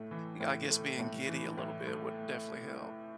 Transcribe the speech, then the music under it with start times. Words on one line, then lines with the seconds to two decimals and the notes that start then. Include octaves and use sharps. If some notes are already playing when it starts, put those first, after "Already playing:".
eh, I guess, being giddy a little bit would definitely help.
Already playing: A2 A3
0.11 E3
0.40 A2
0.70 A3
0.99 A2
1.28 E3
1.57 A2
1.87 A3